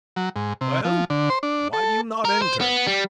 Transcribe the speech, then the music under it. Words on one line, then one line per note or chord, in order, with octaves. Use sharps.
"Well! why do you not enter?"
F#3
G#2
C3
F3
D3
C5
D4
A4
A#4
C5
B3
G3